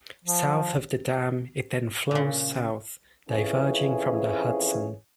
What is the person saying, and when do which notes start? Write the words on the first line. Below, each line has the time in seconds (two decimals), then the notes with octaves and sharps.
South of the dam, it then flows south, diverging from the Hudson.
0.25 F3
2.11 A#2 C#3
3.30 F2 E3 C#4 G#4